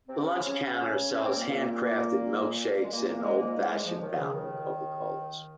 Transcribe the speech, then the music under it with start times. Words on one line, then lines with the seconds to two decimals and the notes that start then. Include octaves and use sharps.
The lunch counter sells hand-crafted milk shakes and old-fashioned fountain Coca-Colas.
0.08 C3 C4
0.24 C#3 C#4
0.48 C#3 C#4
1.13 C#4
1.19 C3 C4
1.34 A#2 A#3
1.49 A#2 A#3
2.84 G#3
2.91 A#2 A#3
3.07 A#2 A#3
3.18 A#3
3.23 G#2 G#3
3.39 A#2 A#3
3.54 G#2 G#3
3.64 A#3
3.70 G#2 G#3
3.86 F2 F3
4.02 D#2 D#3
4.17 C#2 C#3
4.33 D#2 D#3